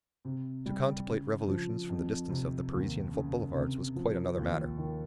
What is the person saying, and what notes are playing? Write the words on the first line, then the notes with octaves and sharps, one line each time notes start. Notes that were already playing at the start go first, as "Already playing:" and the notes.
To contemplate revolutions from the distance of the Parisian Boulevards was quite another matter.
C3
G3
C#3
F3
F2
C3
D#2
C#3
C3
F3
D#2
D#3